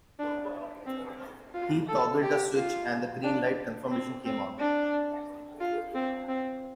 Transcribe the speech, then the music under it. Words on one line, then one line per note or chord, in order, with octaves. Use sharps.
He toggled the switch and the green light confirmation came on.
D4
C4
F4
A4
G4
F4
D4
C4
C4
D4
F4
C4
C4